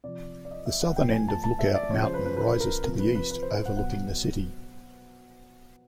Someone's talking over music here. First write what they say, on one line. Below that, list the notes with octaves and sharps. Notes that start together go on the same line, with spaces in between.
The southern end of Lookout Mountain rises to the east overlooking the city.
C3 F3 D5
D5
D#5
E5
F#5
A2 F3 G5
G#5
A5
A5
E5
D5
C#3 F3 C#5
C5
B4
B4
B4
A#4
C3 F3 A#4
B4
B4
B4
C5
F#5
B2 F#3 F#5